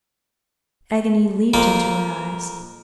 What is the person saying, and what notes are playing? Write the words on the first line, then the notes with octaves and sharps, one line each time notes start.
Agony leaped into her eyes.
F2 A#3